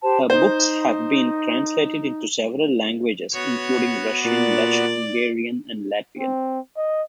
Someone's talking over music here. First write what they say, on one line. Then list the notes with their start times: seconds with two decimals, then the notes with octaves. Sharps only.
Her books have been translated into several languages, including Russian, Dutch, Hungarian and Latvian.
0.02 G4 C5 A5
0.30 D#4 C5
3.33 B3 F#4 C#5
4.25 A#2 D5
6.19 C4
6.77 D#5